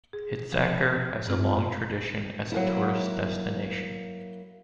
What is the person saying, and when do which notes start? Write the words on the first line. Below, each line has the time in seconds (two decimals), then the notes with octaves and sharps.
Hitzacker has a long tradition as a tourist destination.
0.13 G#4
0.53 F3
1.27 G2 C4 F4
2.52 F#3 A#3 E4